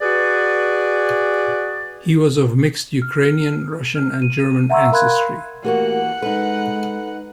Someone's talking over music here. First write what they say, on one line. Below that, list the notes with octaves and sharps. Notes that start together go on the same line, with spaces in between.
He was of mixed Ukrainian, Russian, and German ancestry.
F#4 G#4 B4 D5
F6
F6
D#7
E5 F#5 A#5 C6 C#6 E6
A#4 F5 B5 C6 F#6 G#6
E3 A3 A#3 F#4 G4 A#4 F#5
G#3 D#4 A4 B4